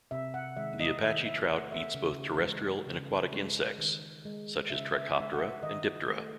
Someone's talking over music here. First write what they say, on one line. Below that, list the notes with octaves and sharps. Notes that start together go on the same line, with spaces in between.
The Apache trout eats both terrestrial and aquatic insects, such as Trichoptera and Diptera.
C3 E5
F#5
D#3 G#3 E5
D#5
D#3 E5
E5
A3 F#5
E5
C#3
E3 G#3
C#3
G#3
D#3
G#3
C#3 E5
E5
G#3 E5
F#5
E5
D#3 D#5
A3